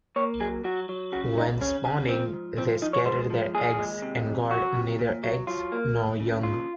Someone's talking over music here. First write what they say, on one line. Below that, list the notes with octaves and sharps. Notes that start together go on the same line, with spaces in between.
When spawning, they scatter their eggs and guard neither eggs nor young.
A#3 C#5
F#3 G#4
F#3 F#4
F#3
C#3 F#4
C#2 D#4
C#3 C#4
C#3
F3 C4
G#2
F3 C4
F3 D#4
C#5
G#3 C5
F3
D#2 G#4
G#3
C3
F2
F#3 F#4
C3
A#2
F#3
F#3 F4
A#3
D#2
C#3
D#2 F4